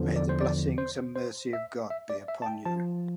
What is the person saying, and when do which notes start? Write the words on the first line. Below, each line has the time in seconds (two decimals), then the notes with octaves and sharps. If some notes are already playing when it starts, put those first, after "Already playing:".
May the blessings and mercy of God be upon you.
Already playing: E2 D3 F3
0.16 D5
0.29 C5
0.41 D5
0.78 C5
1.16 C5
1.53 E5
1.90 E5
2.10 D5
2.28 E5
2.42 A5
2.46 G5
2.65 F3 A5